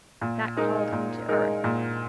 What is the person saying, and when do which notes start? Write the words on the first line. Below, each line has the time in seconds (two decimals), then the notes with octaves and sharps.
That called him to earth.
0.21 A#2
0.57 G#3 D#4 A#4
0.92 A#2
1.28 G#3 D#4 A#4
1.64 A#2